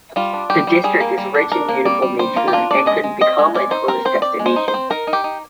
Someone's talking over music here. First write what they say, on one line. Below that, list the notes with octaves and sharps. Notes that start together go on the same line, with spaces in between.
The district is rich in beautiful nature and could become a tourist destination.
G3 F4
D4
G3 G4
G3
G3 G#4
A#3
G3
D4
D4 A#4
A#3
G3 D5
G3
G3 C5
A#3 F4
G4
D4 F4
D4 D5
G#3 D#5
G#3
C4 D#5
G#3
G#3 D5
D#4 C5
C4 A#4
C4 C5
C4 D5
G#3
C5
D#4
C5
C4
D#4 A#4
D#4
G4
D#4